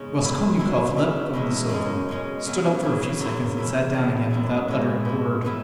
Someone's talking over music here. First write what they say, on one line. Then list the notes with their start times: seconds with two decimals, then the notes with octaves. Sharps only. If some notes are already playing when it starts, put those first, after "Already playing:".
Raskolnikov leapt from the sofa, stood up for a few seconds and sat down again without uttering a word.
Already playing: E2 G#2 C#3 G#3 C#4
0.22 F#2 F#3 B3 E4
0.59 B2 F#3 E4
0.96 C#3 E3 C#4 E4
1.33 E2 C#3 G#3 E4
1.69 F#2 C#3 G#3 C#4
2.09 B2 G#3 C#4
2.45 C#3 F#3 B3 E4
2.83 C#3 F#3 E4
3.20 F#2 F#3 E4
3.57 E2 E3 C#4 E4
3.93 B2 G#3 B3
4.31 F#2 F#3 E4
4.68 G#2 G#3 E4
5.05 G#2 G#3 E4
5.43 C#3 E3 B3 E4